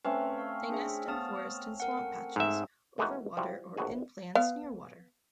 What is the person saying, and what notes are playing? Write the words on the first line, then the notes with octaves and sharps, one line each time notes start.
They nest in forest and swamp patches, over water or in plants near water.
A3 C4 C#4 B4
F5
D4 G#4 E5
B3 F5 A5 D#6
A#4 F#5
G#2 E5
A2 E3 G#3 B3 D#4 F#4
F3 G3 E4 F#4
A#1 E2 A2 F#4 G#4
B3 F5